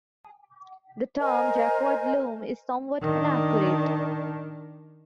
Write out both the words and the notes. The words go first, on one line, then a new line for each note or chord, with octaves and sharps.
The term "Jacquard loom" is somewhat inaccurate.
A#4 C5 D#5 G#5
D#3 D4